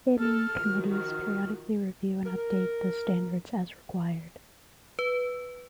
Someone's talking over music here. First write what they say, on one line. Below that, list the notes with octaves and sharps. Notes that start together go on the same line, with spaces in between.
Standing committees periodically review and update the standards as required.
A4 F6
D#3 F3 F#4
F6
A#4
B4